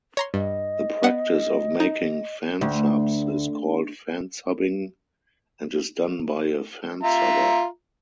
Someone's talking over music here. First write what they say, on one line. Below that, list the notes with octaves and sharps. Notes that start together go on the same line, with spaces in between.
The practice of making fansubs is called fansubbing and is done by a fansubber.
C#5 A#5 C6
G2 D#5
B3 F#5
D#4
D2
F4 E5 A#5